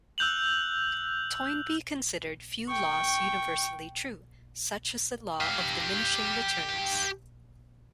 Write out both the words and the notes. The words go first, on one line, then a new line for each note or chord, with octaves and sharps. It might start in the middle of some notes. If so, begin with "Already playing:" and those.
Toynbee considered few laws universally true, such as the law of diminishing returns.
E6 F#6 G6 F7 F#7
G5 C#6
G4 F5